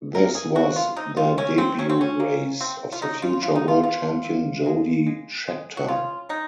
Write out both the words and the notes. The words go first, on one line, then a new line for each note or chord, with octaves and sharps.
This was the debut race of the future world champion Jody Scheckter.
C3 A#4
G#4
C3 F#4
F4
C3 D#4
F4
C3 C#4
C4
F#3 C#4
C4
C#4
A#3
C3 C4
F4
F#3 D#4
F4
C3 F4
D#4
F4
F3 F4
C3
G#3
G#3
G#3
F#4
C#3 F4
G#3 D#4